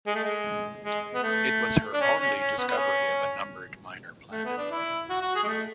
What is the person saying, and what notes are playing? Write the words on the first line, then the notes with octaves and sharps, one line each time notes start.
It was her only discovery of a numbered minor planet.
G#3
A3
G#3
G#3
B3
A3
D4
C#4
C#4
C#4
B3
B3
C#4
A3
B3
D4
E4
F#4
F#4
G#4
G#3
A3